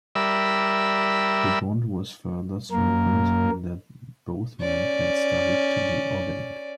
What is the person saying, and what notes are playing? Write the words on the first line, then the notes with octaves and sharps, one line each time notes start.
The bond was further strengthened in that both men had studied to be ordained.
G3 A#4 D5 E5 B5 E6
F#2 A#3 A#4
C#4 D5